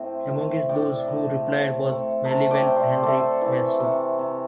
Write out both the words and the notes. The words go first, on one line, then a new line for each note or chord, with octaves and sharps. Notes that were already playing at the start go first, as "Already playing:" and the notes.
Amongst those who replied was Melville Henry Massue.
Already playing: A2 C4
A3
A2 D5 G5
A2
C4
A3
C3 E5 A5
D5 G5
C3
C5 E5
A3 A4 D5
E3
C3
C3